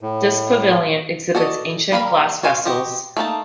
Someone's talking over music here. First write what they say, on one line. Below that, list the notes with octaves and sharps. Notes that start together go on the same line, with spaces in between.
This pavilion exhibits ancient glass vessels.
A2
F#4 A4 D5 D#5
G3 A#3 A#4 B5
F#4 C5 F5 G#5
F#4 G4 C5 D#5
A3 A#3 D#4 A5